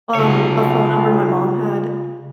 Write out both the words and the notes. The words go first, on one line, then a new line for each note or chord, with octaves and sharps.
um, a phone number my mom had
B1 C#3 F4 C#5